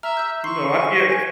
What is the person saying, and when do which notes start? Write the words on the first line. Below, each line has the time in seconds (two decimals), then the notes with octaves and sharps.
you know, I'd get
0.03 E5 A#5 F6
0.17 E6 G6
0.44 C6 C#6 C7
0.79 G#5
1.09 B4 G#5 G#6